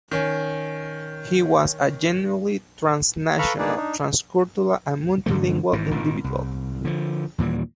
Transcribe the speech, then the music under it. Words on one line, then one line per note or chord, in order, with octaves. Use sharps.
He was a genuinely 'transnational transcultural and multilingual' individual.
D#3 C#4
A4 B4 F5 A#5 B5 C#6
A#3 D4 D#4 G#4 B4 D5
D4 D#4
G2 D3 E3 A3
G#1 G#2 E3
G#1 A#2 D#3
C2
D3 F3
D#2 A#2 E3 G3